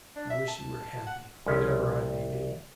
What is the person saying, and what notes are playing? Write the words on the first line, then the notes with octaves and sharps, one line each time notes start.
"I wish you were happy, whatever I may be!"
D4
E5
A5
F#5
C2 F3 C#4